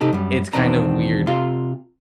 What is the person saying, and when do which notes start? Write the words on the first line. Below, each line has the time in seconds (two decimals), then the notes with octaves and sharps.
it's kind of weird
0.01 C3 D#4 G4 A4
0.13 F#2 G3
0.53 E2 B2 D#3 C4 D4 A#5
1.27 C3 F4 F5 C6